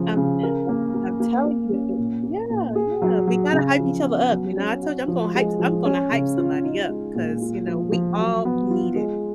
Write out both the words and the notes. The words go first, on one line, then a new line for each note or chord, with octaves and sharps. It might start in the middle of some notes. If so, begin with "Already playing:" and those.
I'm like, I'm telling you yeah, yeah. We gotta hype each other up, you know, I told you I'm gonna hype s I'm gonna hype somebody up 'cause, you know, we all need it.
Already playing: C#3 F3
C#3
A#4
A#3
A#3
A#3
A#3
C#4
A#2
A#3
A#2
G#4
F#3
F#3
C#3
F3
B3
F#3
C#4
F#4
F3
G#3
F3
C#4
C#3
F4
D#4
G#3
A#2
F4
F3
F3
F#3
B3
F4
G#3